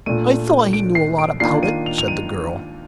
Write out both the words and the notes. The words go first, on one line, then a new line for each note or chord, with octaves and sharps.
"I thought he knew a lot about it," said the girl.
A#2 A3 D4 D#7
D7
C7
D7
D#3 A#3 D4 F4 C7
D#7
F7
F7
D#7